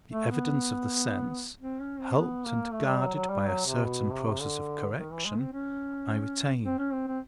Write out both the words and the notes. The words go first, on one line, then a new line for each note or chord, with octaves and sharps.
The evidence of the sense, helped and guarded by a certain process of correction, I retain.
A3
B3
C4
C#4
C4
B3
A#3
A3
G3
F#3
F#3
G3
F#3
C3
B2
C3
D3
D#3
E3
G#3
C4
C#4
C4
C#4
C4
C4